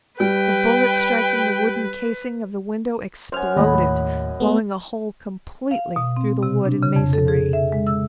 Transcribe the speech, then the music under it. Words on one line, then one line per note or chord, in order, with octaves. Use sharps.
The bullet striking the wooden casing of the window exploded, blowing a hole completely through the wood and masonry.
G3 B4 G5
F#2 C5 G#5 F6
D#2 A2 D#5 B5
A3 B3
F5
B2
C4
C3
D4
C#3
F2
A4
G#4
E5
G#3
E6